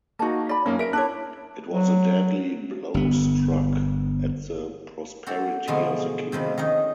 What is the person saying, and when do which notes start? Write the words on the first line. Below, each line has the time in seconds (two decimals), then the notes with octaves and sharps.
It was a deadly blow struck at the prosperity of the kingdom.
0.19 A#3 D#4 F#4 A5
0.49 D5 B5
0.66 F#2 A#3 C#4 D#4
0.79 A#4 B4 E5 D7
0.93 D4 E4 C#5 F#6
1.73 F#3
2.94 G1 B3
5.26 F#4 G4 A4
5.67 B2 D3 E3 F3 G#3 A3
6.32 C3 D#3 F3 B4
6.58 D#3 C#4 D#4